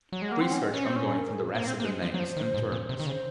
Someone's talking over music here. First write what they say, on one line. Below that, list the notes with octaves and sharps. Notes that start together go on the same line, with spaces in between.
Research ongoing for the rest of the names and terms.
F#3
G#3
A#3 F#5
C4 F#5
C#4
D#5
C#4 A#4
C4 C5
C#4 C5
C5
A#4
G#4
C5
A#3
C4 C5
A#3
G#3
F3
F#3
F3
D#3
G#2
A#2
C3
D#3
C#3 C5